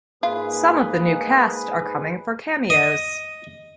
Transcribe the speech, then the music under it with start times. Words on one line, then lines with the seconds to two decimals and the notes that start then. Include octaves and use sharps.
Some of the new cast are coming for cameos.
0.23 G#2 A#3 F4 G#4 B4
2.70 D#5